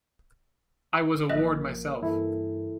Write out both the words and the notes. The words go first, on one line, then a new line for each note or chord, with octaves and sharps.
I was a ward myself.
A1 F3 A#3 D#5 E5 F#6
G2 E3 E4 A4